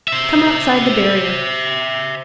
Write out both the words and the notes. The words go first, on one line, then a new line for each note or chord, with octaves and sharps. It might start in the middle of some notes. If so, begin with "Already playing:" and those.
Come outside the barrier.
C5 E5